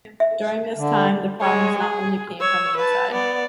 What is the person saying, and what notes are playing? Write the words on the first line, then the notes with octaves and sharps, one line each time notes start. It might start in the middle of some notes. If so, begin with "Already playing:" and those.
During this time, the problems not only came from the inside.
E5
D3
G#3 C#5
G#4
C#5 E6
B4 A5
B3 D5